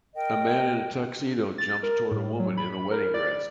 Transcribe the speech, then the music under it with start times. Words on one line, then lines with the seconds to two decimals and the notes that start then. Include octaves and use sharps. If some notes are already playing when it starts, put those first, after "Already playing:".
A man in a tuxedo jumps toward a woman in a wedding dress.
0.14 A#4 D#5 G5
1.58 A6
1.83 A#4
2.11 A2
2.40 F#3
2.57 B5
2.91 A#4
3.14 D5